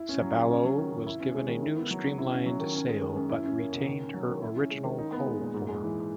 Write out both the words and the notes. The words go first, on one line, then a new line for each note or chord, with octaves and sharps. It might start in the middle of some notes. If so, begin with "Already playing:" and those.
"Sabalo" was given a new streamlined sail, but retained her original hull form.
Already playing: E4
C#4
F#3
C#3
C#4
F#3
D#3
F#2
E4
C#4
G#3
D#3
E4
B3
F#3
C#3
E4
C#4
F#3
D#3
C#4
G#3
D#3
F#2
E4
C#4
A#3
B2
D#3
C#4
F#3
D#3
E4
C#4
G#3
D#3
D#4
B3
G#3
A#2
G#2
G#3
E3